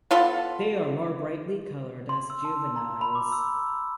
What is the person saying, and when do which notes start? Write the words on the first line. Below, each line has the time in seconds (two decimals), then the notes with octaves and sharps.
They are more brightly colored as juveniles.
0.11 B3 F4 A4
2.09 C6
2.30 E6
2.45 A5
2.76 A#5
3.01 B5
3.15 D6
3.32 E6